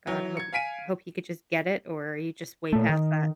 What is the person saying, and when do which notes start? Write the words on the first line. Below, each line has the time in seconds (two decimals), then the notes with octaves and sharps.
"God, I hope he I hope he could just get it," or are you just way past that?
0.07 E3 F#3
0.37 G#6 C#7
0.53 F5 G#5 B6 D7 D#7
2.73 A#2 A3
2.89 D#3